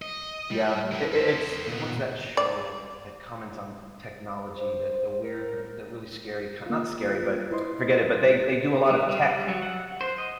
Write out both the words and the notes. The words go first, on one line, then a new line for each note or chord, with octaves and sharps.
Yeah, i i it's What's that show that that comments on technology, that the weird the really scary, kind not scary, but I forget it, but they they do a lot of tech,
D#5
G3
E4 A#4
A4 C5
A#2 B3
D5
C5
A#4
A#3 F4
E4 B4 C5 D#5 C6
G3
G3
G3
F#3
F#5
C5
D#5